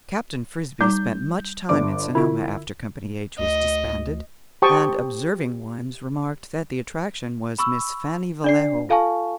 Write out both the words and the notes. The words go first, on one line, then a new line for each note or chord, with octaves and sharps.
Captain Frisbie spent much time in Sonoma after Company H was disbanded, and observing ones remarked that the attraction was Miss Fannie Vallejo.
G3 D#4 G6
G1 D5 D6
D3 E4 F4
D2 D#5
G4 C5 G5 A5 C#6 D#6
B5 C#6 E6
D4 D5 C7
F4 A4 F5 G#5 A5 C#6